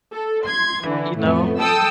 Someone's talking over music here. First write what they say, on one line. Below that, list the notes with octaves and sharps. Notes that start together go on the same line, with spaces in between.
You know
A4
C6 G#6
D3 E3
F2 A2 A3 B3
A4 G5 A5 D#6 E6